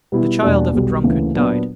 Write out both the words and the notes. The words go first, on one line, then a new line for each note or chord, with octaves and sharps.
The child of a drunkard died.
B2 G3 B3 E4
E2 B2 G3 A#3 D4
B1 B2 G3
D2 C#3 E3 A#3
A#2 F#3 B3 D4